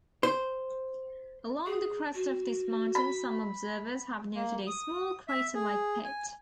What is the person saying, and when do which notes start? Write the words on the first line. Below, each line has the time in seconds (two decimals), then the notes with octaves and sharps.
Along the crest of this mountain some observers have noted a small, crater-like pit.
0.23 C5
1.66 G#4
2.14 F#4
2.95 B5
4.36 A#3
4.67 D#6
5.28 E5
5.55 G#4
6.04 G#5